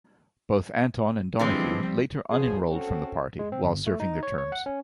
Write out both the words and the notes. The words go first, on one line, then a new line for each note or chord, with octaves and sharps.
Both Anton and Donoghue later unenrolled from the party while serving their terms.
D3 E3 F3 G3 G#3 C4
B2 F3 C#4 G#4
C4 C#4 F#4 A4
G#3
C4
G1
A3
D#4
C#5
C#5
F#5
C#4